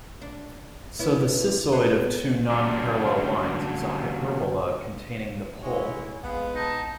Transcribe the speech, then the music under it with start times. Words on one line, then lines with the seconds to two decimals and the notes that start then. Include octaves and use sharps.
So the cissoid of two non-parallel lines is a hyperbola containing the pole.
0.22 D4
0.99 B3 C#4 E4
1.72 B3 G#4
2.51 D3 F#3 G3 A#3 C#4 D4
5.63 G#3 E4 B4 C#5
6.23 A#1 G#3 B3 F5
6.55 D#4 A5